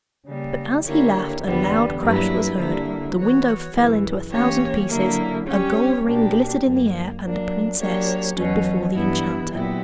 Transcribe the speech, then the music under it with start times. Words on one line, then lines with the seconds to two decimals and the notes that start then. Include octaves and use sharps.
But as he laughed a loud crash was heard, the window fell into a thousand pieces, a gold ring glittered in the air, and the princess stood before the enchanter.
0.26 C#3 G3 A#3
0.84 D3 A#3 E4 G4 C#5
1.42 E2 D3 G3 B3
2.00 G2 F#3 A#3 E4 B4
2.58 D3 G3 A#3 E4
3.15 E3 B3 F#4 C#5
3.73 F#2 C#3 E3
4.31 E3 A#3 C#4 G4 C#5
4.89 D3 F#3 A#3 E4
5.47 G3 C#4 G4 C#5
6.04 B2 A#3 D4 G4
6.62 F#2 D3 A#3
7.20 F#3 A#3 D4
7.78 F#3 A#3 D4 G4 C#5
8.35 E2 B2 F#3 C#4
8.93 G2 E3 B3 E4
9.51 A#2 F#3 B3 E4 G4